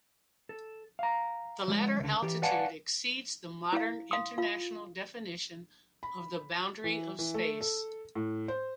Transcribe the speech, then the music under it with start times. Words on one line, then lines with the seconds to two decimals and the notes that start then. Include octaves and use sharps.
The latter altitude exceeds the modern international definition of the boundary of space.
0.49 A4
0.99 F5 A#5
1.68 F3 G#3
1.99 C#2 D3
2.22 E3 G4
2.42 B4 D5 F5 F#5 G#5 A5
3.73 E4 F5
4.11 F5 C6 D#6
4.38 F4 F5
6.03 B5
6.84 E3
7.19 E3
7.34 A3
7.61 A4
8.15 A2
8.48 C5